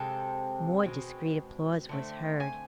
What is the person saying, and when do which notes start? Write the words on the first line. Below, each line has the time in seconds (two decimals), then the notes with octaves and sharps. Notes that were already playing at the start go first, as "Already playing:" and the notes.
More discreet applause was heard.
Already playing: C3 G#3 C4 A4
0.86 B2 G#3 C4
1.89 D3 A3 C4
2.40 G#5